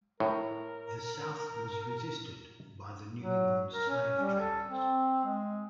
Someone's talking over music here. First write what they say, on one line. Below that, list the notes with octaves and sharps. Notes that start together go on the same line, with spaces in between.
The South was resisted by the New England slave-traders.
A2 A#4
F#3
A#4
C#4
G3
A4
C4
G#3